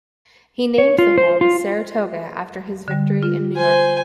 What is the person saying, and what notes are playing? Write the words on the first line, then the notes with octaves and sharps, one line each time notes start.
He named the home Saratoga after his victory in New York.
C#5
F4
C5
F4
D3 G3
F4
C5 G#5